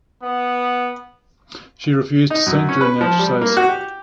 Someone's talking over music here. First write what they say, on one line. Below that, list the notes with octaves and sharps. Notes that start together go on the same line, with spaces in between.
She refused to sink during the exercise.
B3
D#4
F#2
C#4
B4
F3
G3
A#3
F#4
G4